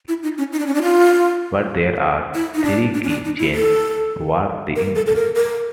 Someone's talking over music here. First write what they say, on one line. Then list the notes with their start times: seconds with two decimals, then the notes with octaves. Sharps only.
But there are three key changes towards the end.
0.08 E4
0.23 D#4
0.38 C#4
0.53 D#4
0.59 D4
0.66 C#4
0.74 D4
0.82 F4
2.34 E4
2.54 D#4
2.64 D4
2.94 D4
3.03 C#4
3.09 D4
3.25 D#4
3.39 E4
3.54 A4
4.76 A#4
4.95 A4
5.06 A4
5.15 A#4
5.36 A#4